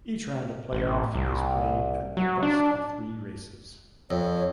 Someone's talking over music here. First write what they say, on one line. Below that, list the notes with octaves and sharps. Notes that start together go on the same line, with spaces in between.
Each round of Play Off is played at the best of three races.
A1
C2
F#3
D4
F2 C#5